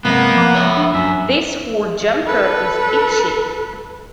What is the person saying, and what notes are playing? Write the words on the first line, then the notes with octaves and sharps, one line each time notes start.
This wool jumper is itchy.
C3 G#3 A#3 B3 F#5
F3 F#5 D6
C#5 E5
D4
F#2 E5
A4 B4